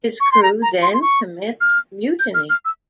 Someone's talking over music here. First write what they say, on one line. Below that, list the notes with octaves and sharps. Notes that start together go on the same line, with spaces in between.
His crew then commits mutiny.
C#6
C6
A#5
A#5
C6
C6
C#6
F6
G6
F6
F6
E6